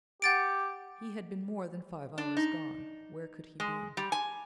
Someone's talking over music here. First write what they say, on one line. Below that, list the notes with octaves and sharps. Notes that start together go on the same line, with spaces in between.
He had been more than five hours gone: where could he be?
G4 F#5 A6 D7
D4
D#4
G#3
G3
G#5